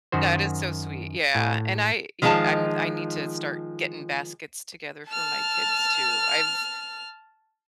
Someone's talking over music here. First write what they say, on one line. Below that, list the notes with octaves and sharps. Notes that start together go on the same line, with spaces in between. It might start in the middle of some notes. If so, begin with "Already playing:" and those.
that is so sweet. Yeah, and I, ye I I need to start getting baskets together for my kids, too. I've
F#2 D#3 F#4 C5
A2
D#3 F3 G#3 F4 A5
A5 F6